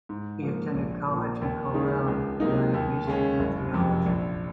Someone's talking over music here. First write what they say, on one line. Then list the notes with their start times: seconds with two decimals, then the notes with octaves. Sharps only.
He attended college in Cologne, learning music and theology.
0.09 G#2
0.42 F3 A#3
0.75 A#1
1.08 A#2 F3
1.41 D#2
1.74 C#3 G#3 D#4
2.07 C#2
2.40 C3 F#3 A#3 D#4
2.74 D#2
3.07 C#3 G#3 C#4
3.39 F#1
3.72 F2 C3
4.06 A#1